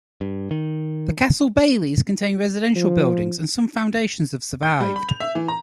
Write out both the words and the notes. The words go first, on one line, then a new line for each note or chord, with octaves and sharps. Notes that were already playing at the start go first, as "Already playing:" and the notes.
The castle baileys contained residential buildings, and some foundations have survived.
G2
D#3
F3
G6
G3
B5
F7
E5
E3
A#5